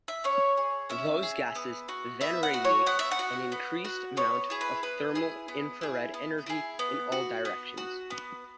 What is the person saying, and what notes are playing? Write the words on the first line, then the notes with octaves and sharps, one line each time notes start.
Those gases then radiate an increased amount of thermal infrared energy in all directions.
E5
C#4 C#5
G#4
C#4 E5
G#4
B3
F#4
B3 E5
F#5
F#4
C#5
B3 F#5
E5
F#5
F#4
B3
F#4
B3 C#5
E4 G#4
B4
B3 B4
E4 G#4
B3
E4 G#4
B3
E4 G#4
B3
F#4
B3
F#4
B3